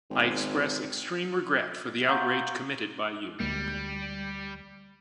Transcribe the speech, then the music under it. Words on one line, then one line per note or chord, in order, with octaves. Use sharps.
I express extreme regret for the outrage committed by you.
G#1
F5 F#5 A#5 C6 C#6 G6
D2 G3 G#3 A#3